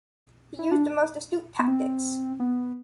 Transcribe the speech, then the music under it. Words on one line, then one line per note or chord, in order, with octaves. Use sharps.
He used the most astute tactics.
E4
D4
B3
C4
B3